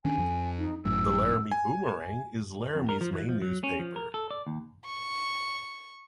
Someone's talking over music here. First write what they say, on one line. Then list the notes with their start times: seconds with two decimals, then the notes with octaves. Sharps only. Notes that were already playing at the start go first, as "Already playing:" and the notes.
The "Laramie Boomerang" is Laramie's main newspaper.
0.05 D#3 C#4 D4 G#5
0.18 F2 F3
0.59 D#4
0.85 G#1 F#2 A2 E6
1.51 G#5
2.75 F2
2.89 A#4
3.01 F3
3.14 E3
3.29 F3
3.42 F#3
3.63 C#4
3.79 F3
3.96 A#4
4.14 A4
4.31 D5
4.47 D#2
4.85 C#6